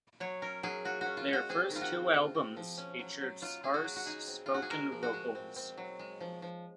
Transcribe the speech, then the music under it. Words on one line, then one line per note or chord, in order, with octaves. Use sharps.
Their first two albums featured sparse, spoken vocals.
F#3 C#5
C#4 A#4
F#3 G#4
F4 F#4
C#4 F#4
F4
G#3
F#4
C4 G#4
D#3
F4
F#4
C4
F4
C4
F3
C#4
F#3
F#3
F#3 F4
F4 G#4
F#4
F#3
F#4
D#4 G#4
C4
D#4 F4
F#4
G#4
G#3 A#4
F3
F#4
G#3
C4
C4
F#3
G#3
F3
F3